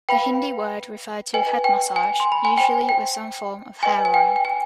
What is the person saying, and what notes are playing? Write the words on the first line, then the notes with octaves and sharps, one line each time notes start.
The Hindi word referred to head massage, usually with some form of hair oil.
B4 F5 G5 B5
B4 D#5 G5 G#5
G5
G#5
C6
B5
G#5
C5 G5
G5
B4 D#5 G5 G#5
G#5
G5
G5
G#5